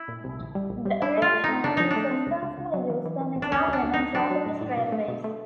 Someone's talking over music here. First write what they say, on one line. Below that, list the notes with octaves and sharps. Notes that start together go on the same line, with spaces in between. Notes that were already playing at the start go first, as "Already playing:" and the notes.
The arrangement is extensively used on Italian and Japanese railways.
Already playing: E4
A#2
C2
A#1
G3
A#1
G3
D4 E4
A3 F4
A3
D#4
A3
C#3 D4
F3 D#4
D4
A3
C4
C#2
C#2
C#2
F#3
E3
E3
E3
A1
D4
D2 C#4
D2 D4
D2
D#4
D2
F#3 D4
F#3
A2
A2
B2
A3
B2
A3